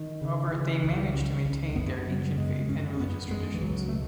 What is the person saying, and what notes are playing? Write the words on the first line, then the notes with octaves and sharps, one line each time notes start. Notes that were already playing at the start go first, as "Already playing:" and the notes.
However, they manage to maintain their ancient faith and religious traditions.
Already playing: D#3
C#3
C#3
C#2
C#3
C#2
F#2 B3
C#3 B3
F#2 G#3
F#2 C#4
F#2 B3
F#2 G#3
E3
C#2 F#3
A3
B2